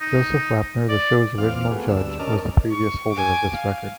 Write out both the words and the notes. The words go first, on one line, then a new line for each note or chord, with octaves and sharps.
Joseph Wapner, the show's original judge, was the previous holder of this record.
D#4
D5
E2 C4 F5 D6 F6
A3 B3 F4 F#4 G#4
D2 G2 D4 E6
C#4 A#4 D#5 A5 D6 F6
C#6
G#5 D6
F5